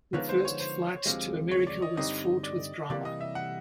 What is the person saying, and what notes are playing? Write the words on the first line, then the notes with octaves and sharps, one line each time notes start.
The first flight to America was fraught with drama.
D3 F3 G#3 B3 D#4 C#5
C5
C#5
C5
D2 C3 F3 G#3
C#5
D5
D#5
G2 D3 G3 C4 D#4 D#5
D5
C3 E3 G3 A#3 D5
D#5
E5
F#5